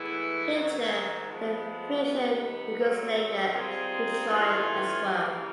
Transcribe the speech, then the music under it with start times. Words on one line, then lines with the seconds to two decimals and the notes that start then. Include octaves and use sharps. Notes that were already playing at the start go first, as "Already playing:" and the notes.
Hitler then pressured Yugoslavia to join as well.
Already playing: A2 E3 G#3 B3 E4
0.53 G#2 D#3 F#3
1.28 F3 G#3 B3
2.03 C3 D#3 G3 B3
2.77 D#3 F#3 A3 C4
3.53 D#3 G3 C4 F4 G#4
4.27 G2 E3 A3 C#4 F4
5.03 C#3 E3 G3 A#3